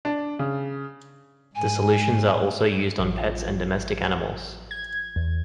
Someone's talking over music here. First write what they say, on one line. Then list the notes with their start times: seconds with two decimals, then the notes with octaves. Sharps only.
The solutions are also used on pets and domestic animals.
0.05 D4
0.39 C#3
1.55 G#2 G#5
2.99 A1 F3
4.71 G#6
5.16 E2